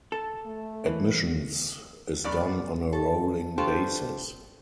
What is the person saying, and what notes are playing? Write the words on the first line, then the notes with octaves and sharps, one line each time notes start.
Admissions is done on a rolling basis.
A4
A3
E3
F#2 B3 D5
A4
D4 F4 G4 A4 C5